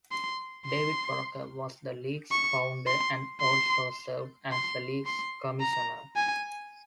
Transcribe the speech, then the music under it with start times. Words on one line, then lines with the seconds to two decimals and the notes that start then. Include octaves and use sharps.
David Waronker was the league's founder and also served as the league's commissioner.
0.12 C6
0.67 C6
2.32 C#6
2.87 C6
3.41 C6
4.52 C6
5.06 C6
5.61 A#5
6.16 G#5